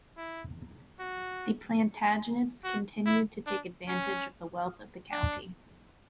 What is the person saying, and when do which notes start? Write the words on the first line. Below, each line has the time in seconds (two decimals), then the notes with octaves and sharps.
The Plantagenets continued to take advantage of the wealth of the county.
0.17 E4
1.00 F#4
2.64 F#4
3.06 E4
3.47 D4
3.88 C#4
5.12 D4